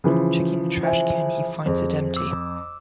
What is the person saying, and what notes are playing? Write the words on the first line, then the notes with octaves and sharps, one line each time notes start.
Checking the trash can, he finds it empty.
C#3 E3 F3
C5 E5 G#5
F2 G#4 C5
D6 E6